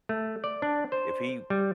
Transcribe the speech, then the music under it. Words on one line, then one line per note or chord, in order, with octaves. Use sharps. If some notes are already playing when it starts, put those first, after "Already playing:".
if he
A3
D5
D4
C5
G3